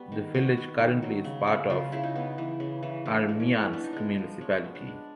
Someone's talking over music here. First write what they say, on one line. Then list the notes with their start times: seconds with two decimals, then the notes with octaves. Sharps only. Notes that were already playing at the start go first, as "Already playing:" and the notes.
The village currently is part of Armyansk Municipality.
Already playing: G3 B3 F#4
0.12 D#3
0.34 B3 F#4
0.57 B3
0.80 D#3
1.02 F#3
1.24 C#3
1.47 C#3
1.70 C#3 F4
1.92 C#3 E4
2.03 D#4
2.16 B3
2.38 E3
2.60 C#3
2.83 E3
3.06 E3 D4
3.29 G#3
3.40 C#4
3.51 E3
3.73 B3 D4
3.84 D#4
3.93 G#3 D4
4.18 F3
4.41 G#3 C#4
4.64 B3
4.75 D4
4.87 G#3